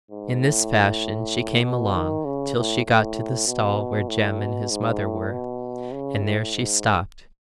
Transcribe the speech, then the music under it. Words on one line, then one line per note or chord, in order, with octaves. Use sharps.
In this fashion she came along till she got to the stall where Jem and his mother were, and there she stopped.
G#2
A2
B2
D#3
C#3
A2
A2
B2
A2
B2
G#2
A2
B2
C#3
A2
G#2